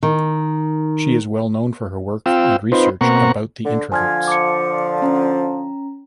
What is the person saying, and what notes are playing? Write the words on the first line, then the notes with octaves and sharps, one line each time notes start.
She is well known for her work and research about the introverts.
D#3
C4 F4 F5 G5 E6
C4 D#4 F4 B4 C5
B2 A#3 C4 F#5 A#5 C#6
D3
D3 F3 G#5 F6 G#6
D6 C#7
C#4 A#5